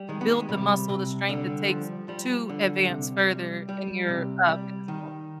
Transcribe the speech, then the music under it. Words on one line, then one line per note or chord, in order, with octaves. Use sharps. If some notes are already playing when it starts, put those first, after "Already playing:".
build the muscle, the strength it takes to advance further in your, uh, dance pole
Already playing: G3
D#3 G#3
B3
G#3
C3 G3
C3
D3 G3
F3
F3 G3
D3
C3
G3
G3
C3
G3
D#3